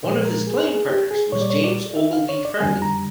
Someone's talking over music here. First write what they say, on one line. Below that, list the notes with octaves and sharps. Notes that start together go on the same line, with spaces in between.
One of his playing partners was James Ogilvie Fairlie.
A#2 F3 G#3 C5
A#4
G#4
G#4
G4
G#4
A#2 G3 C#5
D5
C#5
D5
E5
F5
C#5
D5
F2 D3 G3 G#5
A#5